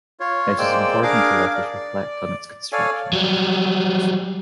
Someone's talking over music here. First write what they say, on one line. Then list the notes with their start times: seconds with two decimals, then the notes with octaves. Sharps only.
It was important to let us reflect on its construction.
0.20 F4 C#5
0.59 G#3 A#3 C5 D5 G5 E6
1.03 D4 G#4 A#4 F5 D6
1.55 D5
2.72 A4 C#5 D5 F5 G#5
3.13 F#3 G3